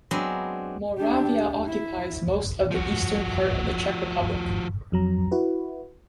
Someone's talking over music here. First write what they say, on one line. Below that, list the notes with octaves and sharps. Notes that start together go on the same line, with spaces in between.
Moravia occupies most of the eastern part of the Czech Republic.
F#3 G#3 B3 C4 D4
D4 G4
E4
F3 F#4
F2 F#3 A#5
E4 F#4 B4